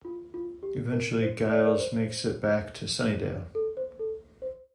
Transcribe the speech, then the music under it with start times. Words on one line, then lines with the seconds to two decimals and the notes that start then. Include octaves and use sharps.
Eventually Giles makes it back to Sunnydale.
0.05 F4
0.34 F4
0.63 G4
0.92 A#4
1.22 C5
1.51 D5
1.65 A#4 D5
1.80 C5
3.55 A4
3.77 C5
3.99 A4
4.42 C5